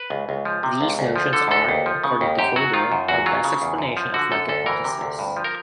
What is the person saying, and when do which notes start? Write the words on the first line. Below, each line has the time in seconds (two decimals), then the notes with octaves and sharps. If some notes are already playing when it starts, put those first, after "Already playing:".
These notions are, according to Fodor, our best explanation of mental processes.
Already playing: B4
0.10 C#2
0.29 C#2
0.45 F3
0.63 C3
0.81 C#2
0.99 D2
1.16 F3
1.33 D3 A4
1.51 D2 A4
1.69 D#2
1.86 F3
2.04 C#3
2.21 D#2
2.39 F#2 G4
2.56 F#3 F#4
2.74 D#3 F4
2.92 F#2
3.08 E2 F#4
3.26 F#3 F4
3.44 C#3
3.62 E2
3.78 F#2
3.97 F3
4.14 D3 F#4
4.31 F#2 A4
4.49 D2 A4
4.66 E3 A#4
4.84 C3
5.01 D2
5.19 G2
5.37 F3
5.44 A#4